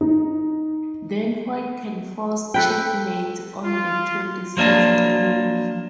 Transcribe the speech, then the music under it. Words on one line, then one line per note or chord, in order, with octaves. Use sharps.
Then White can force checkmate on the twenty-sixth move.
D#4
A4 B4 G5
F4
F3 F#3 A#3 D4